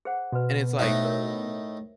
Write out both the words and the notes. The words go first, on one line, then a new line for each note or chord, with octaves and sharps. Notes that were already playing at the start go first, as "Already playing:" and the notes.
And it's like,
G#4 C5 F#5
B2 F#4 B4
A2 D#4 C5 E5
A#4 C#5